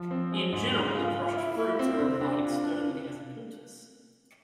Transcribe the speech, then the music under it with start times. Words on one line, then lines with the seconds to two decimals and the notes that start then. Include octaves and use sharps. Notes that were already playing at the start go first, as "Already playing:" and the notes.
In general the crushed fruits are applied externally as a poultice.
Already playing: F3
0.11 C4
0.32 G#3
0.52 G#2
0.74 G#3
0.95 F4
1.16 F4
1.37 E4
1.58 E4
1.79 C4
2.00 C3
2.21 D4
2.42 F4
2.63 D4